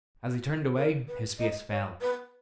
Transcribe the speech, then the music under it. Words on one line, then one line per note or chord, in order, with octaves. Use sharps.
As he turned away his face fell.
A#4
B4
D#5
C#5
B4